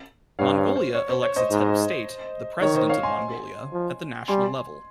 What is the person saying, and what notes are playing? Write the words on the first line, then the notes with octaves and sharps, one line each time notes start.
Mongolia elects its head of state-the President of Mongolia-at the national level.
G2 C#5 F5
C#5
C5
C#5
C5
C#5
C5 D#5
G#2
D#3 C#5
C5 D#5
C#5 F5
G#5 C6
F3
G3 G#5 C6